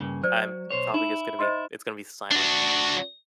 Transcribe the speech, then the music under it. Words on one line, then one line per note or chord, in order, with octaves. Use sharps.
I'm probably just gonna be, it's gonna be silent.
G2 C#3 A#3
F#3 C5 D5
B1 C5 C#5
D#4 E4
C5 D#5 C6
D4 F#4